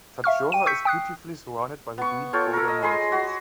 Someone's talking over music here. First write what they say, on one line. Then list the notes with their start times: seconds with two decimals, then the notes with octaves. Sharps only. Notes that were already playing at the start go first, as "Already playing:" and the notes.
Tadjoura is beautifully surrounded by the green Goda Mountains.
0.24 E5 F5 C#6 F6
0.52 G5 D#7
0.66 C#6 E6 G6 B6 C#7
0.85 G5 D#6 F#6 C7
1.98 B3 C#6
2.33 F4 A4 C#5 G5
2.53 A4 A#4
2.68 D#5
2.82 G#3 G#4 B5 C6
3.12 F#4